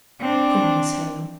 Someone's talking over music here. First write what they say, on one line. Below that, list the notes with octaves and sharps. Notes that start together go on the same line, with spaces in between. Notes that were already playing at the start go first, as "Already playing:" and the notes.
'Come, Miss Hale.
C4 D4